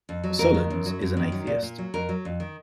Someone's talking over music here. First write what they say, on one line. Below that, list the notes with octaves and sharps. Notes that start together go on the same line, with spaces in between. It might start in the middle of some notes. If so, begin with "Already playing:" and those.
Solondz is an atheist.
F2
F#3
F2 A#4
D#3
F#2
F#3
F#2
D#3
F#3
A#2
A#2
F#3
F2 A#4
F#3
F2
D#3